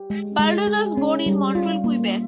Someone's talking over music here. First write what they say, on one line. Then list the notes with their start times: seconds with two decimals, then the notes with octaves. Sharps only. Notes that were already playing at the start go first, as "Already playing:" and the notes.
Baldwin was born in Montreal, Quebec.
Already playing: G4
0.10 G#3
0.39 G#3
0.67 G#4
0.97 C#4
1.26 G3
1.55 F4
1.84 A#3